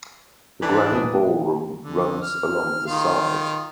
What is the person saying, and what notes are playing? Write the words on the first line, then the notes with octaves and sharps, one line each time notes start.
The grand ballroom runs along the side.
E3 D4 A4 B4
A#2 B4 D#6
D3
F6
D#3 F4 F5